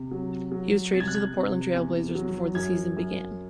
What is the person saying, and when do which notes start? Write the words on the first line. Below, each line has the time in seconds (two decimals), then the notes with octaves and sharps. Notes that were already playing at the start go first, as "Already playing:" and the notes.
He was traded to the Portland Trail Blazers before the season began.
Already playing: C3
0.11 F#3
0.52 F#3
0.93 C3 A6
1.00 G#6
1.08 F#6
1.15 G#6
1.34 C3
1.74 E2
2.15 F#3
2.55 F#2 G#6
2.97 F#2